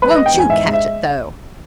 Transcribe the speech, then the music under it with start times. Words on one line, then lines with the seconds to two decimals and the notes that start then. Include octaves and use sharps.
"Won't you catch it though!"
0.02 G#3 B4
0.15 B3 D#5
0.26 G5
0.34 E2 G#5
0.49 G#2 E5
0.65 G#3
0.73 E5